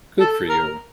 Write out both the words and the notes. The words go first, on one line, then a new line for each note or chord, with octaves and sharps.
Good for you.
A4
A#4